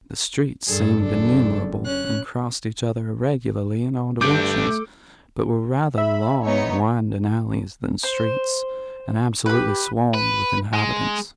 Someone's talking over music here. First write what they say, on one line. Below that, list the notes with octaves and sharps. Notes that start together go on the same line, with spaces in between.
The streets seemed innumerable, and crossed each other irregularly in all directions, but were rather long winding alleys than streets, and absolutely swarmed with inhabitants.
G2 G#4 A4
F#1 D4 A4
C#4 F#6
G2 A3 D4 A4 D6 G6 D7
E5 B5
B3 D#4 C#5
C5
G4 B4 B5
B4
G#3